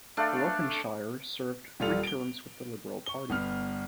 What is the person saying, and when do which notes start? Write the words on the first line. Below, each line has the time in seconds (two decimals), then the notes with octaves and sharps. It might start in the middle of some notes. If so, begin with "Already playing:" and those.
Brokenshire served three terms with the Liberal Party.
0.17 A3 D4 A4 F5
1.80 D#1 G3 F4 A4 F7
2.03 D7 G7
3.06 C#6 G7
3.30 G1 B3 F6